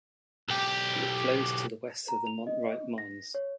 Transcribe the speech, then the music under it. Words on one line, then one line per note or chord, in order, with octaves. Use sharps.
It flows to the west of the Mont Wright mines.
B1 G4
A#5
F7
D#5
A#6
C#5